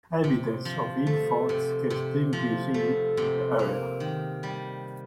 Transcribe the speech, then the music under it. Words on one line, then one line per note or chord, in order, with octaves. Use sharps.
Evidence of hill forts can still be seen in the area.
C3
F3
A3
C3
C3
F3
A3
C3
A#3
D#3
G3